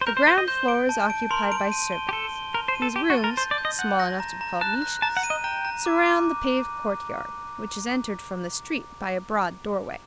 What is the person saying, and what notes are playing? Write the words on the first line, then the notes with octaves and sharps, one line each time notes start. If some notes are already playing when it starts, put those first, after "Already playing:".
The ground floor is occupied by servants, whose rooms--small enough to be called niches--surround the paved court-yard, which is entered from the street by a broad doorway.
C5
A#4 G6
C5
C5 G7
D#5
C5 G6
D7
A5
D7
A#4 C6
D7
D#7
G7
G4
A4 G7
G7
A#4 G7
C5
D#7
A4
G4 G7
F#4
A6
A#4
C5 G6
D5
G6
D#5
F#5 G6
A#6
A#5
A#5
A5 F#6
F#6
A5 A#5
F#5
D#7
D#5
G5 A#5
A#5
D6
D6